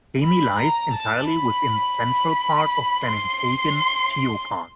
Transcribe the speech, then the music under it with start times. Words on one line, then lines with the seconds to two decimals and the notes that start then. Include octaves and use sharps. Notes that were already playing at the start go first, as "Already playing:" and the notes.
Kami lies entirely within the central part of San'in Kaigan Geopark.
0.23 B5
0.59 A#5
0.93 A5
1.29 B5
1.99 B5
3.05 C6